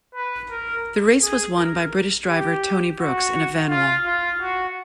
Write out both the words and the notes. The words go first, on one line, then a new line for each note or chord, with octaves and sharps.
The race was won by British driver Tony Brooks in a Vanwall.
B4
A#4
G#4
A#4
G4
F#4
F4
F4
F#4